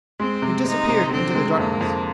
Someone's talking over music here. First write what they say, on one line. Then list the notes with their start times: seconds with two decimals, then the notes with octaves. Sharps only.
They disappeared into the darkness.
0.20 G#3 C4
0.42 C3
0.65 C3 D#4
0.88 C3
1.11 D3 C4
1.35 G#3
1.57 F2 A#3
1.81 F2